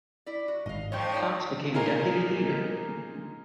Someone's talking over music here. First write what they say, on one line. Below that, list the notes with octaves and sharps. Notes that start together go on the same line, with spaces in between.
Cox became deputy leader.
E4 D5
F#4
G#1 D#5 F5
F2 F3 C#5 G5 C#6
D#4 C5 D5
A#2 D#4 F4 G#4 A#4